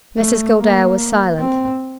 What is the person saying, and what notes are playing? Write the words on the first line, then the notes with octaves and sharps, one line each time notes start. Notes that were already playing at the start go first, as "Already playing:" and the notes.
Mrs Gildea was silent.
A3
A#3
C4